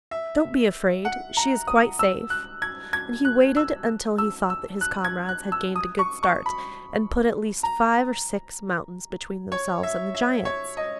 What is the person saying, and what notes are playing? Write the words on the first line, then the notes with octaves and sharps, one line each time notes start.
'Don't be afraid; she is quite safe.' And he waited until he thought that his comrades had gained a good start, and put at least five or six mountains between themselves and the giants.
E5
F#5
A#5
D#6
E6
F#6
G#6
G#6
F#6
E6
E6
E6
F#6
G#6
F#6
E6
D#6
C#6
C#6
B5
A#5
C#5
E5
E5
C#5
D#5